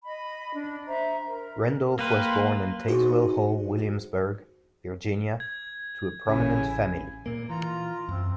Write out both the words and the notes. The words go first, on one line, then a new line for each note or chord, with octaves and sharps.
Randolph was born in Tazewell Hall Williamsburg, Virginia to a prominent family.
D#5 B5
D4
C5 E5 A#5
A#4
A#3 B4 G5 C6
D#4 F#4 G#4 C5
G#6
A1 C#3 E4 G#5
A#2 A#3
E3 F4 A#5
F#2 C4